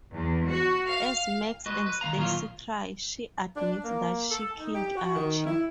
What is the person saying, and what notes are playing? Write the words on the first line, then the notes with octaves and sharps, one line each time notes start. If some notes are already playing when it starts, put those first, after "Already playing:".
As Max and Stacey cry, she admits that she killed Archie.
E2
F#4
F5
G#3 F#4 B4 D#5
B4
D#3 G3 F5 A#5
A#2 D3 D#3 F#3 F4 F5
D4
A#3
A4
D#4
G4
F#4
D#3
E4